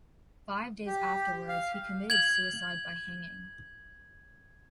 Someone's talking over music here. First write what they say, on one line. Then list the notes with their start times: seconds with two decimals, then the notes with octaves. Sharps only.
Five days afterwards he committed suicide by hanging.
0.87 G4
1.49 F5
2.10 G#6 F#7